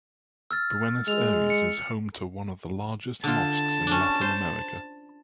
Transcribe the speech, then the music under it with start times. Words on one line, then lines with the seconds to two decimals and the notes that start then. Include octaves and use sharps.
Buenos Aires is home to one of the largest mosques in Latin America.
0.51 E6 F6 A6
1.08 G#3 E6 F7
1.50 C#7
3.24 D3 F4 A5
3.87 C#4 D4
4.21 C5